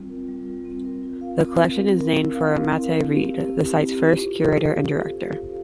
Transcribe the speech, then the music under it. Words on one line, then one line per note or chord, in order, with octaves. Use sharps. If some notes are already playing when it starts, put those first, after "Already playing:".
The collection is named for Mattye Reed, the site's first curator and director.
Already playing: G3 C4 F4
A#4
G3
F4
C4
A#4
F4
F5
C4
A#4
C4
A#4
E4
F5
C4
A#4
C4
G4
E4
C4
C4
G4
F4
C5
A4
F5